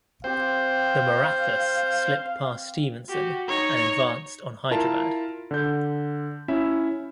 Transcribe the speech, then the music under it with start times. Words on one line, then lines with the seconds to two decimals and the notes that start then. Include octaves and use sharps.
The Marathas slipped past Stevenson and advanced on Hyderabad.
0.24 C4 G4 C5 F5
3.09 F#4 G4
3.48 D#4 C#5
4.71 E4 F4 A#4 A5
5.51 D3 G6
6.48 C#4 E4 E5